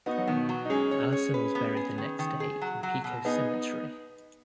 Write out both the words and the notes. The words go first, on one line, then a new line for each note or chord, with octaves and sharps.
Allison was buried the next day in Pecos Cemetery.
B3 D#4 F#4
F#3
B2 D#3 B3
F#3
D#4
G#3 C#4 G#4
C#5
C#5
B4
B3
G#4
D#3
D#3
G#4
F#3
F#3
B2
B3 D#4 G#4